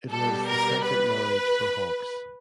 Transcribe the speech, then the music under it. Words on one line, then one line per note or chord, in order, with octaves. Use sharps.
It was the second marriage for Hawks.
B2 G3 A4
A#4
B4